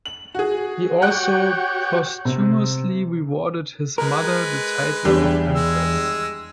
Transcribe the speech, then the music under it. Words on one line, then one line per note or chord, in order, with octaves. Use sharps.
He also posthumously rewarded his mother the title of empress.
F#7
F#4 G#4
F#4 G4 C#5 F#5 G5 F#6
C3
G#3 A#4 B4
E2 G3 D4 G4
G#3 E6